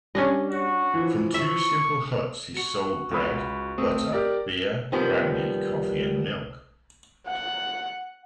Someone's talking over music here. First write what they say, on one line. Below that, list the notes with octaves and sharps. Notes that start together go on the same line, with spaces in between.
From two simple huts he sold bread, butter, beer, brandy, coffee and milk.
G3 C#4 D4 D#5
F#4
E3 F3
E5 C#6
F#4 C#7
C#2 B5
A3 C4 D#6
G4 A#4 D5
D#2 C3 D#3 F3 G3 B3
F#5